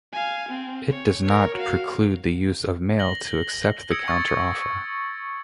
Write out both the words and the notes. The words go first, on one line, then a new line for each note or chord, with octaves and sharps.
It does not preclude the use of mail to accept the counteroffer.
F5 G#5
C4
C#5
A#4 C#5
F#4 F5
A#6 F#7 G7
D#6 E6 G#6 A#6 C#7 D7
C#6 A6